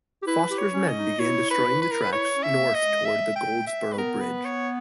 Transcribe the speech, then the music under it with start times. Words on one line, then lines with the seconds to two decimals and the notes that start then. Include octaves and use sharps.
Foster's men began destroying the tracks north toward the Goldsborough Bridge.
0.22 G4
0.26 E4 B4
0.51 G4
0.58 C#5
0.74 C#4
0.88 D#5
0.97 D#4
1.20 E4 C#5
1.51 B4
1.57 D#4
1.65 E4
1.82 B4
1.91 A#4
2.02 B4
2.12 E4 C#5
2.35 C#4
2.43 E5
2.52 B3
2.59 A#3
2.74 D#5
2.82 G#3
3.05 E5
3.36 G5
3.67 E5
3.92 B4
3.98 B3 A#4
4.21 B4
4.44 C#5